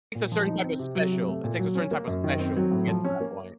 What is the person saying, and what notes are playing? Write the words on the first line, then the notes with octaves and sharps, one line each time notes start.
It's a certain type of special it takes a certain type of special to get to that point.
A#2
F3
D#4
C4
C3
F#3
C3
A3
A#2
F#3
C#4
A#3
F#2
D#3
C4
F#3
A2
F3
C#4
A#3